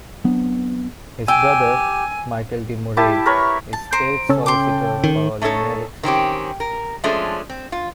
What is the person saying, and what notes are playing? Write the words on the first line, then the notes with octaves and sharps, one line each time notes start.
His brother, Michael D Murray is State Solicitor for Limerick City.
F#3 B3 C4 D4
G4 G#5 E6
E4 G4 A5
A#4 B4 C#5 C#6
A5
C5 A#5 D7
C#3 C#4 A4
G5 C6 D6
D#3
A3 C#4 D#4 A4 C#5
D#3 C4 C#4 G4
A#4
F3 G#3 A3 C#4 D4
C4
F4